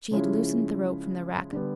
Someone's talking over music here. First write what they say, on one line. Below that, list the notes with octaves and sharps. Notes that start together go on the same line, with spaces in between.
She had loosened the rope from the wreck.
C#3 F3 G#3 C#4 E4
D3 G3 B3